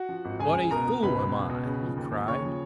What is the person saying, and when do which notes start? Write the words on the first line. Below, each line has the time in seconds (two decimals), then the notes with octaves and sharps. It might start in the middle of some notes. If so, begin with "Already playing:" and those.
"What a fool am I!" he cried.
Already playing: F#4 F#5
0.09 F3
0.25 G#1
0.39 C#2 G#4 G#5
0.55 C#2
0.71 B2 A#4 A#5
0.87 B2
1.02 C#2 B4 B5
1.19 B2
1.34 C#2
1.49 B2
1.65 C#3
1.81 F3
1.97 D#2
2.12 D#2
2.28 C#3 C#5 C#6
2.44 F3